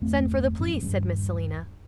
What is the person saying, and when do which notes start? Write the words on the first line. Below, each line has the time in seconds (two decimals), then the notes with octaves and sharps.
'Send for the police,' said Miss Selina.
0.01 G1 E2 A3 C4
0.59 F1 F#2 A2 C#4
0.81 D#1 G2 G3